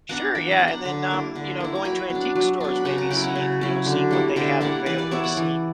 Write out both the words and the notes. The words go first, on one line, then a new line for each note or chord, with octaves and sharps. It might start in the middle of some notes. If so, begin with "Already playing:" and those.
Sure, yeah, and then, um, you know, going to antique stores, maybe see, you know, seeing what they have available, seeing,
B3 D4 F#5 A#5
E3 G5 B5
F#5 A#5
B3 D4
F#5 A#5
D3
A#3 E4
D3
A#3 E4
A#5
F#3 G5 B5
B3
D4
F#3
B3 D4
B5
C#3 F#5 A#5
F#5 A#5
F#3 C#4 E4 G5 B5
F#5 A#5
C#3
F#3 C#4 E4
D3
G3 A#3 E4
D3 E5 G5
G3 A#3 E4 D5 F#5
E3 B4 D5
B4 D5
B3 E4 C#5 E5
D5 F#5
E3